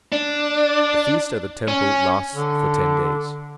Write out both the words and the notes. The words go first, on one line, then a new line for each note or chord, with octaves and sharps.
The feast at the temple lasts for ten days.
D4
C#4
D3